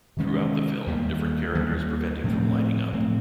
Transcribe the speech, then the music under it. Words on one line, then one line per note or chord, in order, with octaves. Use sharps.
Throughout the film, different characters prevent him from lighting up.
C3 D#3 G#3 C#4
D#2 D#3 G3 A#3
D#2 D#3 G3 A#3
A2 F3 A3 C4
A2 F3 A3 C4